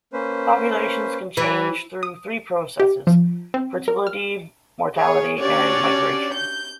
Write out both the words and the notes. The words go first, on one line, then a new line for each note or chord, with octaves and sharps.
Populations can change through three processes: fertility, mortality, and migration.
A#3 C#4 B4 C5
E3
D#6
G4
F3
C4
A#4
F6
G#4 A#4 C#5
C#4 D4 F#4 G4 C#5 D5
G6